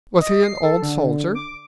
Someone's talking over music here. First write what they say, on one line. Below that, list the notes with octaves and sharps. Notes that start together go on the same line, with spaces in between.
"Was he an old soldier?"
D#5
C7
A4
D3
D6